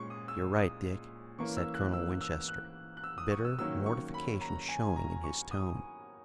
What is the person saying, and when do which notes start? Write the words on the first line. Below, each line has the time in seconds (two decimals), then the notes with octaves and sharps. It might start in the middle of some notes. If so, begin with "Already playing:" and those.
"You're right, Dick," said Colonel Winchester, bitter mortification showing in his tone.
Already playing: A#2 G#3 C#4 C#6
0.10 D#6
0.28 E6
0.56 D#6
1.38 E3 A#3 C#4 C#6
1.57 E6
1.75 F#6
1.93 E6
2.21 E6
2.48 F#6
2.97 F#6
3.04 E6
3.18 D#6
3.31 C#6
3.45 E6
3.58 D#3 F#3 A#3 C#4 E6
3.86 C#6
4.14 B5
4.41 A#5
4.69 G#5
4.96 A#5
5.23 C#6
5.51 D#6